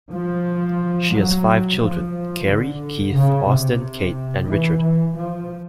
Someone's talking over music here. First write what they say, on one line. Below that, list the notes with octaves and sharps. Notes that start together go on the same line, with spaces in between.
She has five children: Kerry, Keith, Austen, Kate, and Richard.
F3
F#3
F3
D3
C#3
C3
E3
E3
F3